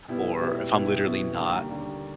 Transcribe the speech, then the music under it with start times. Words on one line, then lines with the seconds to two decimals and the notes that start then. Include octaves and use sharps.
or if I'm literally not
0.08 B2 G3 B3 E4
0.41 B2 G3 B3 E4
0.73 B2 G3 B3 E4
1.05 B2 G3 B3 E4
1.37 D#2 D3 G3 A#3
1.70 D#2 D3 G3 A#3